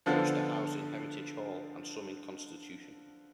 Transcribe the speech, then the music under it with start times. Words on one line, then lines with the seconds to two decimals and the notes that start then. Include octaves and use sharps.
Most are housed in Heritage Hall and some in Constitution.
0.06 D3 F3 B3 F4 A4